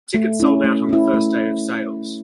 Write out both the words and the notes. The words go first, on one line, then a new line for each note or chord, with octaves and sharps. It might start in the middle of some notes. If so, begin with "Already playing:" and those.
Tickets sold out on the first day of sales.
A3
C#4 E4
A3
C#4 E4
A3